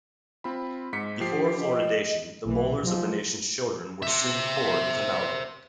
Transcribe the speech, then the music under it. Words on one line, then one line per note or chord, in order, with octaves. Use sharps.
Before fluoridation the molars of the nation's children were soon cored with amalgam.
C4 F4 B5
G#2 B6 C#7
F3 G4 C7
D4
D#5
B1 E3
G#2 F3 F#3
C5 E5